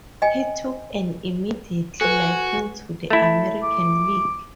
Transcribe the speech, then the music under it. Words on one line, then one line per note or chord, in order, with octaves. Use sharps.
He took an immediate liking to the American League.
D#5 G5 G#5
F#4 A4 B4 G#5
A3 E4
D6